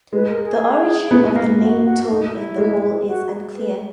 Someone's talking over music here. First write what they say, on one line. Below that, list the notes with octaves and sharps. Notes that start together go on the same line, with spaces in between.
The origin of the name 'toad in the hole' is unclear.
G#3 B4
A#4
G#4
B3
A#3
F#4
F#4
D#4
E4
G#3
F#4
B4